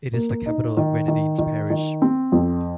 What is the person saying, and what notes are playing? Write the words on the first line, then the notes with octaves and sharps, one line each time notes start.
It is the capital of Grenadines Parish.
A#3
D#4
D#3
D#3
D#3
D#3
C4
F2